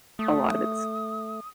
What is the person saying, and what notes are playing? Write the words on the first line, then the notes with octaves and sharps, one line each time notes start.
a lot of it's,
A3 D#6